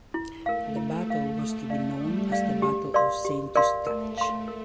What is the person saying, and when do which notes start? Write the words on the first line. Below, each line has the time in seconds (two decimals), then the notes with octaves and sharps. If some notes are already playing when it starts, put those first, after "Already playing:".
The Battle was to be known as The Battle of Saint-Eustache.
0.14 E4
0.46 A3 A#4 F5
0.76 A3 E4
1.07 A#4 F5
1.38 A3 A4
1.70 D5 F5
2.01 G3 A4
2.32 D5 F5
2.62 G4
2.94 A#4 D5 F5 C6
3.25 G4
3.56 A#4 D5 F5 C6
3.87 A3 A#4
4.18 F5 C6
4.48 A#4